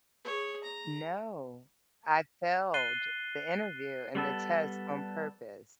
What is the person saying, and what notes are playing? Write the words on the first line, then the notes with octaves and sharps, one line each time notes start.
No, I failed the interview and the test on purpose.
G#4 C#5
A#5
F#6 A6 C7 D#7 G7
G3 B3 A4